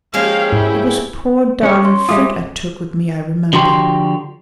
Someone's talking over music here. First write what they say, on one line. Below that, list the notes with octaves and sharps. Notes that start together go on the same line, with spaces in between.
It was poor darling Fred I took with me, I remember.
F3 G#3 A#3 C#4 G4 F5
G#2 E4
C#4 C#5
C6
G3 G#3 F4 E5 D6 D#6
D3 F3 F#4 G4 A#5 C6